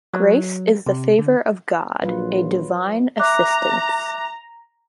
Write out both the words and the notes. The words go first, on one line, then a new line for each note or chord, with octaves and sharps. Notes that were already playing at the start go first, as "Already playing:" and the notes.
Grace is the favor of God, a divine assistance.
F#3
C3
D3
A#1 F#3 F4 B4
E5 A#5 D6 F#6